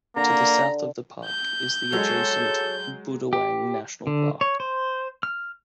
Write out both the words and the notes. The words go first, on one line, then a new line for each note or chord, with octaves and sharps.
To the south of the park is the adjacent Budawang National Park.
D3 A#3 A#5
G6
F#3 G#3 G#4 A4 C#5
G4
D3
C#5
C5
F6